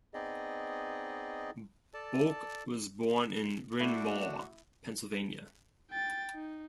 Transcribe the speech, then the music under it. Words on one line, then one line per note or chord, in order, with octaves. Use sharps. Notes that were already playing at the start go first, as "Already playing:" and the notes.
Bok was born in Bryn Mawr, Pennsylvania.
B3 C4 D#4 G#4 D5 D#5
A4 D5 A5
A3 D4 E4 F#4
G5 A6
D#4